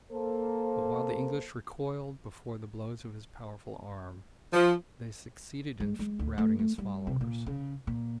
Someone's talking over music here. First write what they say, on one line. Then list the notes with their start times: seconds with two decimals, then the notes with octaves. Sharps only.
But while the English recoiled before the blows of his powerful arm, they succeeded in routing his followers.
0.11 A#3 A4 C5
4.53 F3
5.80 G#3
5.99 G#3
6.19 D2
6.38 A3
6.59 A3
6.78 G3
7.07 C3
7.21 A#2
7.46 C#3
7.87 A#2